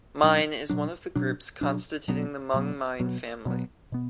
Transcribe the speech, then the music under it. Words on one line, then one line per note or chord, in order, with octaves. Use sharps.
Mine is one of the groups constituting the Hmong-Mien family.
B2 F#3 D4
B2 F#3 D4
B2 F#3 D4
B2 F#3 D4
B2 F#3 B3
B2 F#3 B3
B2 F#3 B3
B2 F#3 B3
B2 B3